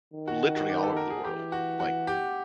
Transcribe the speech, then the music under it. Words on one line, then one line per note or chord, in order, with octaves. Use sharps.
literally all over the world, like
D#3
F#4
F#4
G4
A4
A#4
G#4
E3 G4
F#4
F#4
G4